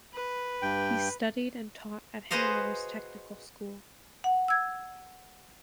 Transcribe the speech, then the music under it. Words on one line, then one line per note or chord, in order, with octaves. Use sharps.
He studied and taught at Hanover's technical school.
B4
G2 G5
F#4 G#4 B4 C5 D#5 F5
F#5
E6 G#6